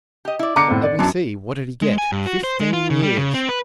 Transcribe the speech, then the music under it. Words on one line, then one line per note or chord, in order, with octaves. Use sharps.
"Let me see, what did he get--fifteen years!"
G4 D#5
E4 D5
D3 A#5 D6 C#7
A2 C4
D5
F#2 E3 D4
G#3
G#5
G2
F#4
C5
G#3
F4
C#3
G3
C#3
C4
B4